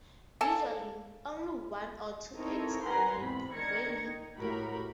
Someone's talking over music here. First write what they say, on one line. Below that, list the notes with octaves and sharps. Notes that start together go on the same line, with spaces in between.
Usually, only one or two eggs are laid, rarely three.
A#3 A4 G#5 A5
C4 D#4 E4 A4 A#4 C#5
A#4 B4 F#5 G#5 A#5 C6
E2 G#2 C3 B5
D#3 D4 A#4 G#6 A#6 C#7
D#4
A2 F#4 G4 A#4 B5